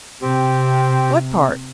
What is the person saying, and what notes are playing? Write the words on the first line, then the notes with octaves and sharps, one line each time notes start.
"What part?"
C3 C4 G4